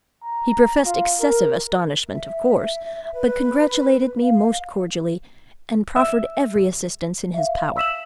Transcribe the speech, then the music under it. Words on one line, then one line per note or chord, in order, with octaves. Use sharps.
He professed excessive astonishment, of course, but congratulated me most cordially, and proffered every assistance in his power.
A#5
F4
A#4
E5
B4
F5
E5
E5 F5
E6 B6 E7 F#7